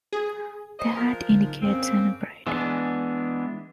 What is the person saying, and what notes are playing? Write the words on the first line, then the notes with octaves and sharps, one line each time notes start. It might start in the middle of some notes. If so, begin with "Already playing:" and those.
The "hat" indicates an operator.
G#4
E3 C5 D#5
F3 G#3 A#4
D3 D#3
D#4
F#2 C#3 A#3 C4
E3 G#3 B3 D4